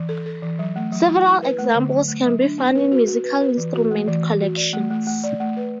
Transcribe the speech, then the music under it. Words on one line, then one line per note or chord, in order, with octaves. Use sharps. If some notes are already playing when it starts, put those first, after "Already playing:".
Several examples can be found in musical instrument collections.
Already playing: E3
A4
A4
E3
F#3
A3
F#3
E4
E4
B4
A3
D3
F#3
A3
F#3
D4
B3
B4
F#4
F#4
B4
B4
E3
F#4
A3
E3
E3
F#4
D5
A3
A3
A3
D5
A3
B4